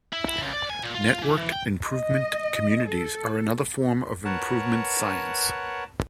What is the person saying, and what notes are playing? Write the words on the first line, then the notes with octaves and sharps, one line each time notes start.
Networked Improvement Communities are another form of Improvement Science.
E4
E4
C#2
D5
G#5
A#2
F4
E3
E3
G5
D#5
A4
A#4 B4 C#5 F#5 A5